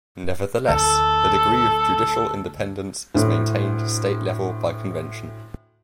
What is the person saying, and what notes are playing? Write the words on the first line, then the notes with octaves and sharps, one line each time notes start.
Nevertheless, a degree of judicial independence is maintained at State level by convention.
D2 A4
D2 A2